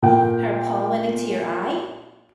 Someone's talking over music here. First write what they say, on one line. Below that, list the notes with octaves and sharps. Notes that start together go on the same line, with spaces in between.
Her paw went into your eye?
A#2 G5